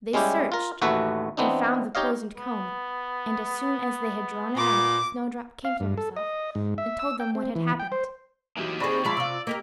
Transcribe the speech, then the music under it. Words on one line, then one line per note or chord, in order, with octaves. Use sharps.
They searched, and found the poisoned comb; and as soon as they had drawn it out, Snowdrop came to herself, and told them what had happened.
G3 G#3 C#4 E4 G4
F4 A#4
A1 D#2 A3 F#4 B4 E5
E3 B3 C4 D4 D#4
D#4 G4 C#5 D#5 F5
B3
A#2 D6
F5
G2
A4
D#5
G#2
E5
E6
G5
C4
E3
G5
C5
E3 F#3 A#3 D#4 G4
C4 G#4 D5 B5 C#6 A#6
F3 G#3 D5 E5 A#5 B5
C3 F4 E6
A#3 G4 A#4 D#5